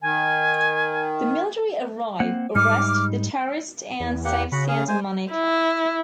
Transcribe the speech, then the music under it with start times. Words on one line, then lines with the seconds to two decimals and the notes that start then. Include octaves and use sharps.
The military arrive, arrest the terrorists and save Santa Monica.
0.02 D#3 G#5
2.20 A#3 C4 F#5
2.55 G#2 G3 D#4 D6 F6
4.00 E2
4.25 A#3 G4 F#5
4.52 C#3 F#4 F#5 B5
4.68 G#4 F5
4.88 G#3 C5 G#5
5.31 E4